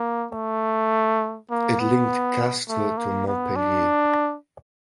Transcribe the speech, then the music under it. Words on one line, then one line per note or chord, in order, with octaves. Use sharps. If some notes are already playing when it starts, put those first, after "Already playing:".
It linked Castres to Montpellier.
Already playing: A#3
A3
A#3
B3
A3
A#3
B3
D4